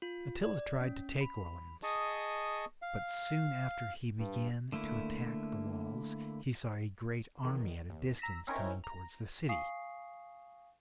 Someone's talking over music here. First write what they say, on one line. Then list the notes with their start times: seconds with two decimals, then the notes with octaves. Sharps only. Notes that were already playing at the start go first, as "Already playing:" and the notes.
Attila tried to take Orleans, but soon after he began to attack the walls he saw a great army at a distance coming towards the city.
0.02 F4
0.43 D5
0.81 C#4
1.21 B5
1.83 G#4 D#5 A5 C#6 D#6
2.82 F5
4.19 G2
4.72 D3 A3 A#3 E4
7.43 E2 D#3
7.90 D#2
8.19 A#5 E6 A#6 B6
8.47 C4 C#4 D#4 E4 A#4 C#5
8.84 A#5
9.49 F5 G#5 C#6 D#6 C7